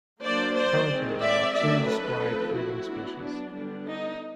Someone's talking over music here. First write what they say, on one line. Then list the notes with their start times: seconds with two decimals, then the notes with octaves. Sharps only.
Currently there are two described living species.
0.22 F#3 A#3 D4 C5 D5
0.55 C5 D5
0.89 D#3 G#3 C4
1.22 D5 E5
1.55 D#3 F#3 A3 C#4 D5 E5
1.88 A4 B4
2.22 F3 A3 C4
2.54 E4 F#4
2.88 F#3 B3 D4
3.21 D4
3.54 D3 G3 B3 D4
3.88 D#4